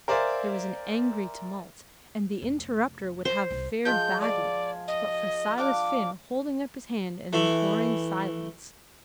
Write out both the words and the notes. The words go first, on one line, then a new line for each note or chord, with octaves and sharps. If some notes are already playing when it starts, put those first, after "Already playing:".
There was an angry tumult, and the interrupter would have fared badly, but for Silas Finn holding up his hand and imploring silence.
A#4 C5 D5 E5 F5 G#5
F1
C5
C2
F3 G#3 F4 G6
D5 G#5 D6
D#5
D4 F5 D6
E3 A3